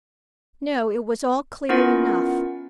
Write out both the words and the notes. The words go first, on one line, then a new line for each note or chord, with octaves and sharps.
No, it was all clear enough.
B3 C#4 E4 F4 A#4 F#5